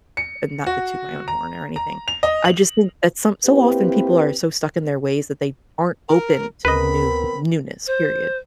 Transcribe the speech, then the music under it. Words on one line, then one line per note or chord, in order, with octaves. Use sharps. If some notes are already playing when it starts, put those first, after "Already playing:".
not to toot my own horn or anything- I just think that some so often people are so stuck in their ways that they aren't open to new newness, period.
C#7
F#4
A#5
A#5
F7
D#5
F#7
A#3 C4 E4 G4 B4
A#4
D2 B3 C4 A#4 B4 D#5 B5
C5